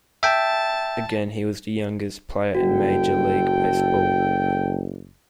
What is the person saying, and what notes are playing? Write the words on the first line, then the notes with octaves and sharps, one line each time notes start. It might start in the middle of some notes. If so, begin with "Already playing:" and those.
Again, he was the youngest player in Major League Baseball.
E5 G5 A5
F#1 F#4 A4 G5